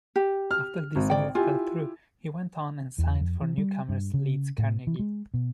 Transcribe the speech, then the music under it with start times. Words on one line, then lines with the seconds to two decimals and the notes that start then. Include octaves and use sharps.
After this move fell through, he went on and signed for newcomers Leeds Carnegie.
0.16 G4
0.51 F6
0.96 G#1
1.10 D5 G5
1.35 E4 F4 G4 G#5
2.98 E2
3.20 F2
3.42 E3
3.58 G3
3.89 G2
4.14 C#3
4.58 A2
4.87 E3
4.99 G#3
5.34 B2